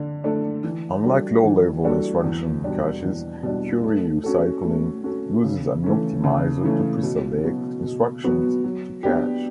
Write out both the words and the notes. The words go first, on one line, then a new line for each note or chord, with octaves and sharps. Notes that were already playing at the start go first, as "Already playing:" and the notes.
Unlike low-level instruction caches, query recycling uses an optimizer to pre-select instructions to cache.
Already playing: D3 D4
A3 D4 A4 D5
E3
G3 D4 F#4 A4
E3
G3 D4 F#4 A4
E2
B2 G3 D4
E2
B2 G3 D4
A3
C#4 F#4 A4
A3
C#4 F#4 A4
C#3
E3 A3 C#4
C#3
E3 A3 C#4
B2
F#3 B3 F#4
B2
F#3 B3 F#4
F#3
B3 D4 G4